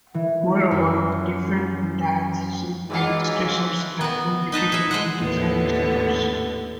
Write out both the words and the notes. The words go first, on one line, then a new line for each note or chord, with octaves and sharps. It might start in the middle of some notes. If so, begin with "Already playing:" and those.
Moreover, different diatheses and stressors are implicated in different disorders.
E3
F#2
E3 F#3 G#3 A#3 D#4 F4
B3 F#4
D#4 B4 A5 A#5
G#4 E5
G#3 C5 F#5
D#2 A2 D3 B3